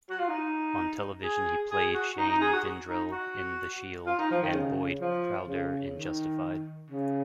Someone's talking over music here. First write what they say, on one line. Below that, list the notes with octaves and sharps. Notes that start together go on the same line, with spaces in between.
On television, he played Shane Vendrell in "The Shield" and Boyd Crowder in "Justified".
F#4
F4
D#4
G#4
G#4
F#4
D#4
D#4
G#4
F#4
D#4
F#4
F4
D#4
F3
D#3
C#3
F3
C#3
D#3
C#3